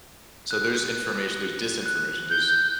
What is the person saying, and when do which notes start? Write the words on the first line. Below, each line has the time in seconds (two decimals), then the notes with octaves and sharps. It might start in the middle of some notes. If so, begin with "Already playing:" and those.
so there's information, there's disinformation, there's
0.51 F#6
1.86 F#6
2.30 G6